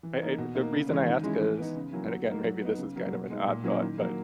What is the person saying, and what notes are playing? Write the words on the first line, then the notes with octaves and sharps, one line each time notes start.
I I the reason I ask is and, again, maybe this is kind of an odd thought, but
E3
A#3 D#4
B2
A#3 D#4
C#3
E3 G#3 C#4
D#3
G#3 C#4 E4
E3
B3 D#4
C#3
F#3 A#3 C#4 E4
F#3
A#3 D#4
F#3
B3 D#4
C#3
F#3 A#3
B2
G#3 D#4
A#2
F#3 A#3 C#4 E4
D#3
F#3 A#3